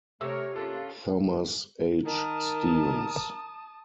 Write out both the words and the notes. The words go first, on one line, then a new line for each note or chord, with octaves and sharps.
Thomas H. Stevens.
C3 A3 A#4 C#5 E6
A#3 C#4 D4 F4 A4
D#3 A#4 A5 D#6